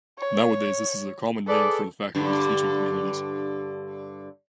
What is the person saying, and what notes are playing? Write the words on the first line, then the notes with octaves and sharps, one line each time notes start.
Nowadays this is a common name for the faculties teaching humanities.
C#5
G#4 A4 B4 D5
G2 D3